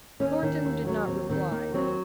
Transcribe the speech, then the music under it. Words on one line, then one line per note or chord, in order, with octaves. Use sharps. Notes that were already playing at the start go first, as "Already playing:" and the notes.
Thornton did not reply.
D#2 C#4
D#3
D#2
F#3
D#2 C4
D#3 C4
D#2 A#3
F#3 C4